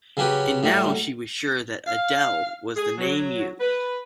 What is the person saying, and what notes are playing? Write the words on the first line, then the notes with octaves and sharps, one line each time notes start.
And now she was sure that Adele was the name used.
C#3 F#3 C#4 G4 B4
A2 F#3 G3
F5
G#4
F#3
B4